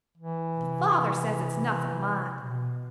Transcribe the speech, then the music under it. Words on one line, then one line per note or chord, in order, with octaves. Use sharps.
But father says it's nothing to mind.
E3
C3
B2